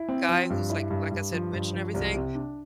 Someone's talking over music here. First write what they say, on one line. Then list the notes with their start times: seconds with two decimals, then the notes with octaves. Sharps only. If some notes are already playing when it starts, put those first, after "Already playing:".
guy who's like like, I said, rich and everything.
Already playing: E4
0.08 C4
0.29 F3
0.50 G2
0.70 E4
0.90 G2
1.11 G2
1.32 F3
1.53 G2
1.73 F3
1.94 C2
2.15 C3
2.35 D4